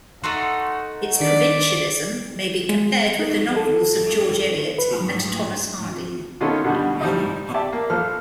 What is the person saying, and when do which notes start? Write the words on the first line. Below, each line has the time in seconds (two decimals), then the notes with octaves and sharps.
Its provincialism may be compared with the novels of George Eliot and Thomas Hardy.
0.24 A3 D#4 F#4 C6
1.21 D#3 D4 D5 B6
2.69 G#3
3.19 D#4
3.56 A4
4.78 B4
5.01 F#3
6.41 B2 D#3 C#4 D#4 F4 A4
6.64 B2 D3 G3
7.01 F3 G3 D#4 D#5
7.54 G4 D5 E5 A5
7.72 A#3
7.90 A#1 F3 A4 F6